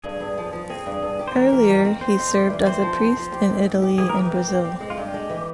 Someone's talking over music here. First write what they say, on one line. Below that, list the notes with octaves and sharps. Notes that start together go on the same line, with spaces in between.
Earlier, he served as a priest in Italy and Brazil.
G2 G#4
G2
F3
F3
C4 G#4
G2
G2
G4
C5
E3 A#4
E3
F2
C4
C4 C5
F2
G3
E3
C4 C5
F3
C4
F3
G4
G#2
G#2
G4
E3 G#4
A#4
E3
G4
C4
C4
C4
G#3
F4
G2 G4
G#3
E3